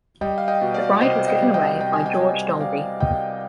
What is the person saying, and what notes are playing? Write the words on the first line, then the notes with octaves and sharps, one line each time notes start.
The bride was given away by George Dolby.
G3 D#5 G5
F5
D#5 G5
B2
D5 F5
C2 C5 D#5
D#5 G5
G3
D#5 G5
C2 G5
G#5
D#5 G5
G3 D#5 G5
G3 D5 F5
C2 D#5 G5